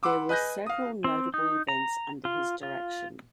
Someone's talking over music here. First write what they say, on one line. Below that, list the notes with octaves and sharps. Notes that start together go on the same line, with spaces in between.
There were several notable events under his direction.
F#5 B5 C6 D6 E6
B4 D#5 G#5 F#6 G6 A#6
F5 D#6
C4
D#4
A#5
F4
F4